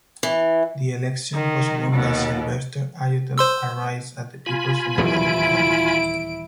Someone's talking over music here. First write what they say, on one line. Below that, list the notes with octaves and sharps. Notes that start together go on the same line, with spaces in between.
The election was won by Sylvester Ayodele Arise of the Peoples Democratic Party.
E3
D#3
D#2 B2
C5 C6 E6
F4 G#5 B5
D#1 E2 F#3 E4 D7